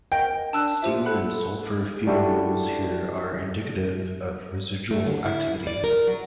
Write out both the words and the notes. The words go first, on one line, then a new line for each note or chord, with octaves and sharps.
Steam and sulphur fumaroles here are indicative of residual activity.
A#4 D#5 G5
D4 A5 E6 F#6
F4 G4 C5 E5
A4 F#5 B5 F#6
G3 D4 E4 F#4 G4 A4
A3
D3
E4
D5
A#4
F#3